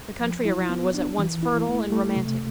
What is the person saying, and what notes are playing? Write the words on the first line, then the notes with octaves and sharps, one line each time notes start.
The country around was at once fertile and romantic.
F3
E4
B3
D4
E3
E4
A3
A3
C3